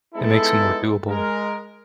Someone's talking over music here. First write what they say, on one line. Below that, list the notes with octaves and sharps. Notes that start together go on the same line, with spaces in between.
It makes it more doable.
G#3 B3 D#4 E4 A4
G#3 A#4